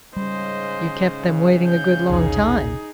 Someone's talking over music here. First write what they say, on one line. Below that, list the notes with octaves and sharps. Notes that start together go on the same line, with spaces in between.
'You kept them waiting a good long time!'
G#2 C#3 G3 C5 D#5
G6
B1 E2 C3 D#4 G#4